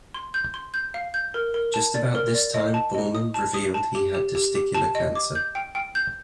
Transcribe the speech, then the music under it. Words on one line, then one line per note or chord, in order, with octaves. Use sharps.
Just about this time Boorman revealed he had testicular cancer.
C6
G6
C6
G6
F5
G6
A#4
A#4
A5
D5
A#4
D5
D#5
A5
D#5
D#6
A5
D#6
A5
G4
G4
G4
G4
A5
D#5
D6
G6
G5
G5
G6